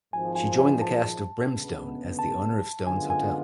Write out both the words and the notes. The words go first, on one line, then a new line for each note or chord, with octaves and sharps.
She joined the cast of "Brimstone" as the owner of Stone's hotel.
G#1 G#2 F3 G#5
G#5
G#5
A5
D2 C#3 G#3 B3
A5
F#2 D3 G#3 B3 F4 G#5
G#5